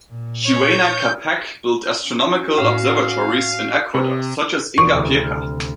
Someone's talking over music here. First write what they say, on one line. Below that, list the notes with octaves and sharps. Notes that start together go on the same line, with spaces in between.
Huayna Capac built astronomical observatories in Ecuador such as Ingapirca.
A#2
C#5 G6
C#4 F#4
A2 F5
C3
E1 C5 C#6 D#6
D2 C3 D#6
F6